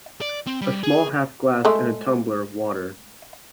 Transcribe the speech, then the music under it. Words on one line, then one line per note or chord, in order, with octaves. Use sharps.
A small half-glass in a tumbler of water.
D5
C4
G3
G#4
G#3 A3